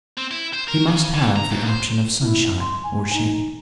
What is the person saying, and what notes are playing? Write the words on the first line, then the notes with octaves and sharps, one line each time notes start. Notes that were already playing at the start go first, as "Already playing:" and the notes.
He must have the option of sunshine or shade.
C4
E4
C5
A#4
C#3
E3
A#5
F#2
C5
E4
C6
G#5
D#4